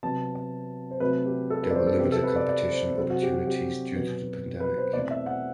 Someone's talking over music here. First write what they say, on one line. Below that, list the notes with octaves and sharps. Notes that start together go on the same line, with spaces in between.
There were limited competition opportunities due to the pandemic.
C3 F#3 B3 A5
C5
C3 F#3 A3 C4 B4
G4
A4
B4
D5
C5
A4
C3 G3 B3 G4
A4
B4
D5
D5
C5
C3 F#3 C4 A4
F#4
G4
G4
G4
B2 F#3 B3
B4
C5
E2 B2 A3 C4 D5
E5
F#5